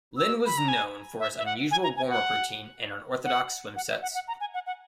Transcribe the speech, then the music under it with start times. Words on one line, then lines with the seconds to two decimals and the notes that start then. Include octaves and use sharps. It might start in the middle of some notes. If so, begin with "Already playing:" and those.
Linn was known for his unusual warm-up routine and unorthodox swim sets.
0.17 E6
0.46 B5
0.58 A#5
0.68 G#5
1.19 E5
1.38 E5
1.46 F#5
1.71 G#5
1.84 A#5
1.97 G#5
2.09 F#5
3.25 F#5
3.76 F#5
3.90 E5
4.02 F#5
4.15 F#5
4.28 A#5
4.40 G#5
4.54 F#5
4.66 F#5